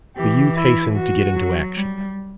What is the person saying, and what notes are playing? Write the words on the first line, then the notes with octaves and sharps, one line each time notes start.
The youth hastened to get into action.
E3 G4
E4
F#4
F#3
G3